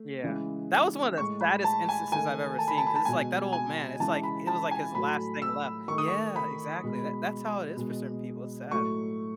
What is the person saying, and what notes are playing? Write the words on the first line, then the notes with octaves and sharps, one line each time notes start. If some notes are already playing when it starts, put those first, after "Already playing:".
Yeah, that was one of the saddest instances I've ever seen, 'cause it's, like, that old man, it's, like, it was, like, his last thing left. Yeah, exactly, tha that's how it is for certain people, it's sad.
Already playing: A3
C#3 E3 G#3
A2 G#3 C#6
B5
A5
G#5
D#3 A3 G#5
A5
B5
A5
B5
A5
B2 G#3 G#5
G#5
C#3 E3 G#3 A5
B5
A5
G#5
A2 F#3 A3 B5
E6
D#3 A3 C#6
D#6
C#6
B5
B2 G#3
B2 G#3
A2 F#3 A3 C#6